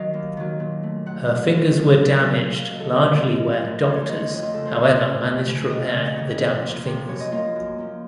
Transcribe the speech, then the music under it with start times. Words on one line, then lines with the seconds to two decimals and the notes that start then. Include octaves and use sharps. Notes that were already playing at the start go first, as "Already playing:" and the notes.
Her fingers were damaged largely where doctors however managed to repair the damaged fingers.
Already playing: D#3 F#3 D#5 F5
0.13 D#2
0.37 D#3 F#3
0.60 A#2
0.83 A3
1.06 A#2 F#5
1.29 A3
1.52 D#2
1.76 C#3 F#3 A3
1.98 D#2
2.22 C#3 F#3 A3
2.45 A#2 F5
2.57 F5
2.68 F#3 A#3 D#5
2.80 A4
2.91 A#2 A#4
3.07 C#5
3.15 F#3 A#3
3.23 D#5
3.38 F#2
3.61 F3 A3
3.84 F#2 C#5
3.91 C5
3.96 C#5
4.07 F3 A3 D#5
4.19 C#5
4.31 F2 D#5
4.42 F4
4.54 C#3 A3 A4
4.65 C5
4.77 F2 C#5
5.00 C#3 A3 C#5
5.23 F2
5.47 C#3 A3
5.69 F2 D#5
5.81 F5
5.93 C#3 A3 D#5
6.05 C#5
6.16 F2 C#5
6.39 C3 F3 A#3
6.63 F2
6.85 C3 F3 A#3
7.08 F#2 C#5
7.20 D#5
7.31 F3 A#3 F4
7.56 F#2
7.78 F3 A#3